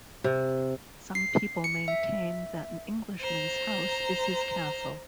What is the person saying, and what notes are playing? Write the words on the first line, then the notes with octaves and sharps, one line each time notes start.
Some people maintain that an Englishman’s house is his castle.
C3
C7
C#7
E5
C5 A#5